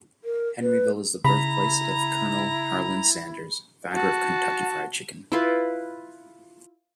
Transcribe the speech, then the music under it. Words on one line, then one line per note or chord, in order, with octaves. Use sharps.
Henryville is the birthplace of "Colonel" Harland Sanders, founder of Kentucky Fried Chicken.
A#4
B4
C#3 E4 A#5 B5
F#4 A5
E4 F4 B4